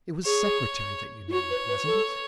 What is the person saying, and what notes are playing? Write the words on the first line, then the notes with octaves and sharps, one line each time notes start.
'It was Secretary that you named; wasn't it?'
G#4 C#5
E4
F#4 C#5
B4
B4
A4